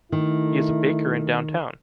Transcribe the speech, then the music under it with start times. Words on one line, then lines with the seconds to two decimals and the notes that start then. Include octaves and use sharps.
He is a baker in downtown.
0.12 D#3 A3 E4